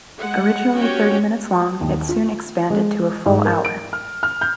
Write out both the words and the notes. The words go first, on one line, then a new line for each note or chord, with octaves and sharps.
Originally thirty minutes long, it soon expanded to a full hour.
G#3 F#5
C#4 F#4 G4 C#5 G5
D#2
F4
G#3
G#2
A#4
D7
F6
F6
G6